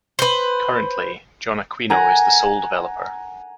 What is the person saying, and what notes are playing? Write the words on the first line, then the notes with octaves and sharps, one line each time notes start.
Currently, Jon Aquino is the sole developer.
B4 C5
F#5 G#5 A#5